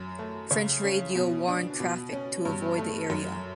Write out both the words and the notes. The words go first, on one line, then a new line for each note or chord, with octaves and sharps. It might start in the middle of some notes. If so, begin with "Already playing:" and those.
French radio warned traffic to avoid the area.
Already playing: F#2
A3
C#3
C#4
B2
D4
B2
C#4
G2
A3
F#2